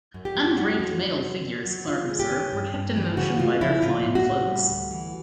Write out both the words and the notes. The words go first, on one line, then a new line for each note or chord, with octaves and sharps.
Undraped male figures, Clark observed, were kept in motion by their flying cloaks.
F#2
G4
F#3
G3 F#4
F2
G3
F#2
F#2
F#3
D#3 F4
G#3
G4
C#4
G2
G2
E3
C#3 F#4
C#3 F4
F3 E4
A2 F4
A2
F#4
A2
G3
D2
E3